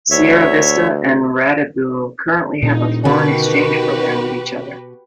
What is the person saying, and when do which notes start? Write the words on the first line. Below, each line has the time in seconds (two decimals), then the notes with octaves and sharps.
Sierra Vista and Radebeul currently have a foreign exchange program with each other.
0.11 D2 C#5 E5
2.62 E1 A#2 D#4
3.05 B2 D3 D#3 C#4 F#4 G4 B4